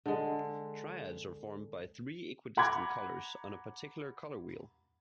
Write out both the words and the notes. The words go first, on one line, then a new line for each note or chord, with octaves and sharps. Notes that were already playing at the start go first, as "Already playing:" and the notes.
Triads are formed by three equidistant colors on a particular color wheel.
D3 G#3
F#5 A#5 B5 D6 G#6